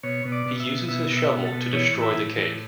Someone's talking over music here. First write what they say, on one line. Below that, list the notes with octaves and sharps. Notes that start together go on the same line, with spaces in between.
He uses his shovel to destroy the cake.
B2 C#5
B2
D5
B2
E5
B2
B2 E5
B2
E5
B2
A4
B2
E3 C#5
A2
E5
A2
E3